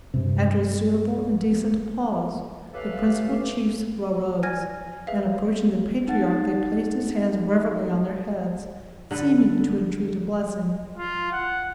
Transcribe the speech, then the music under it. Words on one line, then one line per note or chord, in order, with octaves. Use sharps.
After a suitable and decent pause, the principal chiefs arose, and, approaching the patriarch, they placed his hands reverently on their heads, seeming to entreat a blessing.
G2 C3
A3 C#4 G4 A4 B4 F5
D5 G#5 F6 G#6 A#6 D#7
G#4 B4 E5 F5
D#4 F#5 A6
D3 A4 B4
F4
F#5